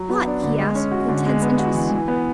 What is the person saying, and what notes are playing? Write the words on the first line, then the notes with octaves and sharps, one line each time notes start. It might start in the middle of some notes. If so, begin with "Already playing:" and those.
"What?" he asked, with intense interest.
Already playing: F#3
B3
D4
D3
G#3
C#4
F#4
D3
G#3
B3
F#4
E3
E3
B3